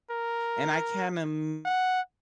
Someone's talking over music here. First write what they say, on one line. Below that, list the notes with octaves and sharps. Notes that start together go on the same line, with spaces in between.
and I can't im
A#4
F#5